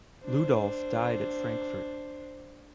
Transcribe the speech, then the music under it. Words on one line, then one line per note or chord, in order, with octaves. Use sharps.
Ludolf died at Frankfurt.
D4 C5